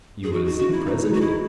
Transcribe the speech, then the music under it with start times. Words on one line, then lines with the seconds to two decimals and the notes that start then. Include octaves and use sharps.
"You will see presently."
0.24 G#4
0.32 D#4 F#4
0.45 F#4
0.50 D#4
0.58 F#4
0.68 E3 E4
0.86 E3 D#4
1.03 G#3 D#4
1.13 F#4
1.21 D#4 E4